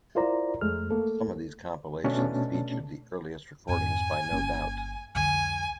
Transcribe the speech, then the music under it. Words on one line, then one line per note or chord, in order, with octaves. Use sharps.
Some of these compilations featured the earliest recordings by No Doubt.
E4 F4 A#4 C5 D5 A#5
F2 G#3 A3 F6
A3 A#3 A4
B2 A3 C#4 D4 A5
F2 G#2 C4 G#5
G1 A#3 C#4
C2 F2 D3 G#5